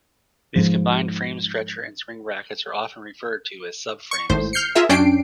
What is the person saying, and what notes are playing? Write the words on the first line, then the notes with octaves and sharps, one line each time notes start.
These Combined Frame Stretcher and Spring Brackets are often referred to as "sub-frames".
G#2 F3
C#6
G#1 A2 C5
F6 G6 C7 C#7
F4 G#4 A#4 E5
F#2 C#4 D4 G5 C7 D7